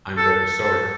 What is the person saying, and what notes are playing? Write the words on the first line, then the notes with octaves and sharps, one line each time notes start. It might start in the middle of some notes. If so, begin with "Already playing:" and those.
I’m very sorry.
A4
A4